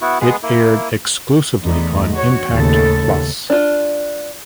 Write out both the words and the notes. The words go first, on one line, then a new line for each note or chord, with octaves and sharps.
It aired exclusively on Impact Plus.
B3 E4 F#4
G#3 B3 G#4 B4
A#3 E4
E2 D3 A3 B3 D#4
F#4 C#5
D#2 A2 C#3 A4
D4 F4